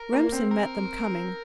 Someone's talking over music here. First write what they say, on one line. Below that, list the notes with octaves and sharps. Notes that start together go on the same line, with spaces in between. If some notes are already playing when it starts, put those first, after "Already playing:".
Remsen met them coming.
Already playing: A#4
A#3
C4
A#4